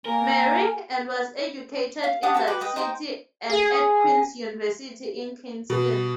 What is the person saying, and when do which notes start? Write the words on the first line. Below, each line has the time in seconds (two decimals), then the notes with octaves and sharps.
Marie, and was educated in that city and at Queen's University in Kingston.
0.06 A#3 A#4 G#5
2.04 F5
2.23 G4 F#5 A5 D#6
2.34 F#4 A#4 A5 B5
2.47 F#4 B4 G5 D6
2.61 B4 D#5 G5
2.76 D#4 C5 D#5 G5
3.50 G#4
5.70 B2